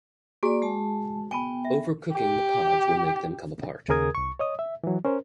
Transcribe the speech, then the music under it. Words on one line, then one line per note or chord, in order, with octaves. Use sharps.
Over-cooking the pods will make them come apart.
A#3 F#4 G#4 D5 G#5
G#3 A5
B3 G5 G#5 B5
E5
G4
D#2 C#3 G#4 A#4 D#6 G#6
C2 C#6
C#5 D#5 D#6
E5
E3 F#3
C#4 A#4 C5